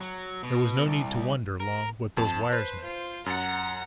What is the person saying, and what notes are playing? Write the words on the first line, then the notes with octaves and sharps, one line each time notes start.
There was no need to wonder long what those wires meant.
F#3
B2
C2
A#4
F2 A5
B4 C5
F4
F#2 F#5 A#5 A6 C#7